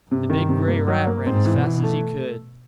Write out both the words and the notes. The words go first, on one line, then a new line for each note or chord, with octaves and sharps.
The big grey rat ran as fast as he could.
G2 C3
D#3
C3
A#3
F#3
A#3
G#2 C4
E3
B2
E3
A3